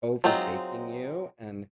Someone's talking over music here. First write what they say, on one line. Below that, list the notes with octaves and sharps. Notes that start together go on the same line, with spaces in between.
overtaking you, and
F#3 G#3 C4 D#4 F4